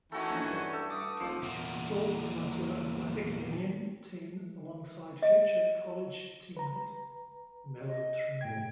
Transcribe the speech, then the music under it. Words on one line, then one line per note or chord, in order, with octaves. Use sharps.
Assault Amateur Athletic Union team alongside future college teammate Melo Trimble.
D#3 E3 A3 C#4 F#4
A#1
G2
A3
D6 D#6
D#1 F3 C5 D6
E2 A#2
D#5
B4 A#5
D#5
A2 G5 G#6